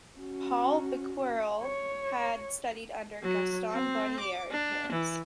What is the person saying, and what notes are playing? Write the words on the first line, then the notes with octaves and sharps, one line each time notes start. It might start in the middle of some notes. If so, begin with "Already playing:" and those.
Paul Becquerel had studied under Gaston Bonnier in Paris.
C#4 F#4
C#5
F#3
C4
D6
D4
E3